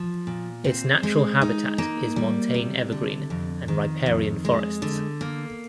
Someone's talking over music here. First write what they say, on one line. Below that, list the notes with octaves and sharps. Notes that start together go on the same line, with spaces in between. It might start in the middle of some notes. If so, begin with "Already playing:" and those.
Its natural habitat is montane evergreen and riparian forests.
Already playing: F3
A#2
C4
G#3
D#4
A#3
G3
C3
D3
F2
D#3
F2
G#3
D3
A#3